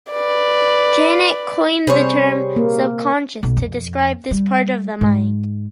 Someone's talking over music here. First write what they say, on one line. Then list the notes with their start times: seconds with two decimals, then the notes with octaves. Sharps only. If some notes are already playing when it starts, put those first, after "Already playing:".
Janet coined the term 'subconscious' to describe this part of the mind.
0.11 B4 D5
1.87 C3 G3 G#4 C5 C#5
2.56 A#3
3.43 B1 B3
3.57 F2
4.31 G3
5.01 G#2